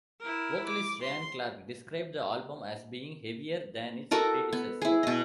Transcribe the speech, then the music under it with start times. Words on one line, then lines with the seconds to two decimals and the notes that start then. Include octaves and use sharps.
Vocalist Ryan Clark described the album as being heavier than its predecessor.
0.20 E4 A#4
0.67 D6
1.02 C6
4.11 F#4 A4 A#4 D#5
4.53 B3
4.82 E4 G#4
5.03 B2 D#5